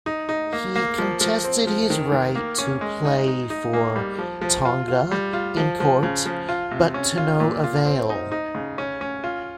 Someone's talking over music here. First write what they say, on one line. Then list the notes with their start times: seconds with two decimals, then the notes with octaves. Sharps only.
He contested his right to play for Tonga in court, but to no avail.
0.06 D#4
0.29 D#4
0.53 A#3
0.76 A#3
0.98 F3
1.21 F3
1.44 C4
1.67 F3
1.90 D#3
2.12 D#3
2.35 A#3
2.58 C#4
2.81 G#3
3.05 D#4
3.27 D#4
3.50 D#4
3.73 A#3
3.96 G3
4.19 F3
4.41 F3
4.65 F4
4.88 F4
5.11 G3
5.33 F4
5.57 F3
5.80 F3
6.03 C#3
6.26 F3
6.49 F4
6.71 C3
6.94 C#4
7.18 F4
7.40 A#2
7.64 F4
7.86 C4
8.10 D#4
8.32 D#4
8.55 C#3
8.78 C#4
9.01 C#4
9.24 F4